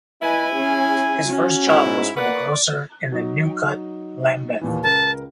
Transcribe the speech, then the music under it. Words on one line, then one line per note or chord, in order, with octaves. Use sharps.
His first job was with a grocer in the New Cut, Lambeth.
E4 B4 D#5 G#5
C#4 G#4
C#4 F#4
G#2 E4
A#3 B4 D5 F#5
F#3 D#4
D#2 A#2 E3
C#2 A#4 A5